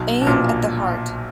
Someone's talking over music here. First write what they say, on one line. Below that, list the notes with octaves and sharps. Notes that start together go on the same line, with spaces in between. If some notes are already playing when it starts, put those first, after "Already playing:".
Aim at the heart.
Already playing: B1 B2
B2
A#1 A#2